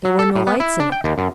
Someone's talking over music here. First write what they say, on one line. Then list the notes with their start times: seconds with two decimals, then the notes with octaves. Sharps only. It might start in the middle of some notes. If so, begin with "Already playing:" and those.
There were no lights in it.
0.05 F#3
0.19 A4
0.35 A2
0.47 B3
0.60 E4
0.80 D4
0.92 G5
1.04 D#2
1.18 F#2